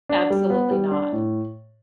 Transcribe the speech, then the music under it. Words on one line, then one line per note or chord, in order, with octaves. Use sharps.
Absolutely not.
D4
G3
B3
G3
D4
A2